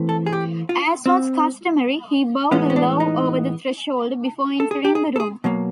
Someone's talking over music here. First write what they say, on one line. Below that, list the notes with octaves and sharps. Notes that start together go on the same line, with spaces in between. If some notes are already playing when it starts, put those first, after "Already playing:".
As was customary, he bowed low over the threshold before entering the room.
Already playing: E3 A3 C4
A4
G#4
G4
F4
C4
A2 E3 G#3 B3 C#4
C#4
D4
D#4
A4
G#4
G4
G#4
A4
G#4
B2 F#3 A#3